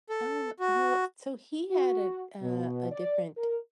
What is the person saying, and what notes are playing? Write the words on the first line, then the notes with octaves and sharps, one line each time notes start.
Um, well, so he had a a a different,
A4
F#4
F#4
B2
D5
A#4